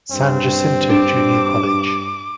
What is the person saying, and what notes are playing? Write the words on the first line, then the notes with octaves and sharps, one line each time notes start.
San Jacinto Junior College.
G2 C4
D4 D6 E7